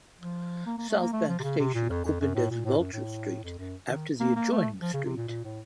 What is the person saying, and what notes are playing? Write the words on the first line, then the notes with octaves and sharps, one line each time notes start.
South Bank station opened as Vulture Street, after the adjoining street.
F3
A#3
A#3
A3
A#3
A3
F3
C3
C#3
C3
A#2
F2
F2
F#2
A2
A#2
A2
F#2
A2
F2
F#2
D#3
A#3
A#3
A3
F3
C#3
C3
A#2
A#2
A2